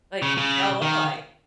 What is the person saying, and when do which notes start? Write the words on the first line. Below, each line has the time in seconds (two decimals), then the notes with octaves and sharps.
Like, they all look alike.
0.22 C#3
0.37 C#3
0.82 D#3